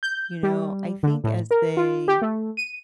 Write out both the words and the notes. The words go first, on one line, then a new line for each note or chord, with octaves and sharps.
you know? I think as they
G6
G3
D3
A2
A#4
F4
G4
A3
D#7